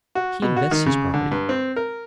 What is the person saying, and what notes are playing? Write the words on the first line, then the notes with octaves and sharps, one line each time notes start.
He invests his property.
F#4
B2
F#4
D#3
C#3
D3
G2
C4
A#4